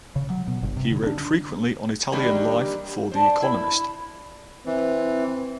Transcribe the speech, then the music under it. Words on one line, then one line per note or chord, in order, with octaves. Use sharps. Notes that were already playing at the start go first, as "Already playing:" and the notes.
He wrote frequently on Italian life for "The Economist".
C#3
F#3
B2
G1
C3
D3
D4
D#3 E3 G3 A#3 D4 G4
D4 C5
E4
E3 C4